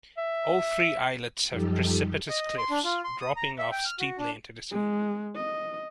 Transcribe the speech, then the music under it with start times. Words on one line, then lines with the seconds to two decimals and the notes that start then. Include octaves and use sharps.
All three islets have precipitous cliffs, dropping off steeply into the sea.
0.18 E5
1.48 F#2 F3 G3 D#4 G4 A4
2.29 D#5
2.58 C6
2.70 D4
2.84 F4
3.04 C6
3.21 D#6
3.36 A#5
3.58 E5
3.71 G5
3.85 F6
3.99 F#4
4.18 D4
4.71 G#3
5.36 D#5